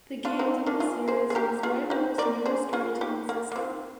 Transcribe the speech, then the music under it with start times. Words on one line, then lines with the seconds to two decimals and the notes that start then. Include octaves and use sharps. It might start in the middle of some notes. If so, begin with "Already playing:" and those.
The games of this series use White Wolf's newer Storytelling System.
0.25 D4 F4
0.39 C4 D#4
0.66 A#3 D4
0.80 F4 G#4
1.08 G#4 C5
1.30 G#4
1.35 G4 A#4
1.63 F4 G#4
1.90 D#4 G4
2.18 A#4 D5
2.46 G#4 C5
2.73 F4 G#4
3.01 D#4 G4
3.29 A#3
3.52 A#3
3.56 C4